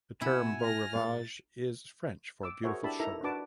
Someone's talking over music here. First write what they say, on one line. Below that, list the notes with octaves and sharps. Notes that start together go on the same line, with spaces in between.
The term 'Beau Rivage' is French for 'beautiful shore'.
B2 E4 F#5 G#5 E6
F6 A#6
A2 G#3 A#3 A6
D6 E6
F#4 G#4 A#4 C5 C#5 E5
D4 E4 G4 E5 A5 B5
D#4 E4 A4 A#4 E5 A#5
D4 F#4 B4 A5 D6